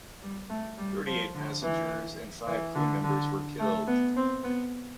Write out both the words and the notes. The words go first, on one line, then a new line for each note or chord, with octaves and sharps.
Thirty-eight passengers and five crew members were killed.
G3
A3
G3
F3
D3
E3
E3
D3
D3
A3
B3
C4
B3